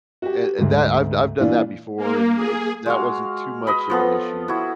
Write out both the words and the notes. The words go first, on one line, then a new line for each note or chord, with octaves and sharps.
and and that I've I've done that before, and th that wasn't too much of an issue.
F#4 G4
D2 G#2
A#2 E3 D4 F4
A#3
G#4
G#3 F#4 F5
D#5 B5
F3 B3 A4
E4 F#4